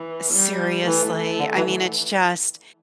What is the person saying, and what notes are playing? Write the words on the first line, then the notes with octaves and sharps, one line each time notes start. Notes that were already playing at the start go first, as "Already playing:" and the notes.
Seriously. I mean, it's just
Already playing: E3
G3
E3 A3
D3
E3